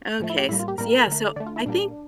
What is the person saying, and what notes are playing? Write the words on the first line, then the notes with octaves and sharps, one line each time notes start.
Okay, s so, yeah, so I think
A2 F3 A3
E4
G4
A2 G3 A#3 E4
F4
G4
A2 G3 A#3 A#4
D3 A3
D3 A3 D5
F4
E4
A#2 G3 A#3 D4